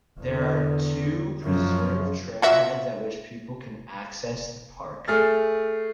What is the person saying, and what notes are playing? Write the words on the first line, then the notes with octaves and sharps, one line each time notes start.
There are two preserve trailheads at which people can access the park.
E2 D3
F#2 F3
F4 F#4 E5
A3 G#4 F6 A6